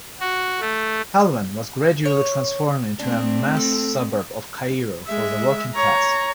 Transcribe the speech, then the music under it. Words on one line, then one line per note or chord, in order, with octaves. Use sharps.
Helwan was gradually transformed into a mass suburb of Cairo for the working class.
F#4
A3
C#5
A3 C4 D4
A4
G#3 E5
C#5 A#5